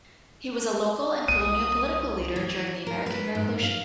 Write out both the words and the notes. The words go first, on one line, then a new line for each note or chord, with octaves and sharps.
He was a local and colonial political leader during the American Revolution.
C2 D#6 D#7
E3
A#4
B4
G#2
F5